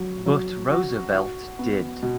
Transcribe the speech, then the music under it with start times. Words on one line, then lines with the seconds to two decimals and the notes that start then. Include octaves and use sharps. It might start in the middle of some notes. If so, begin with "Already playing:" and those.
But Roosevelt did.
Already playing: F#3
0.26 F#3
0.71 F#4
1.14 F#4
1.59 B3
2.03 B2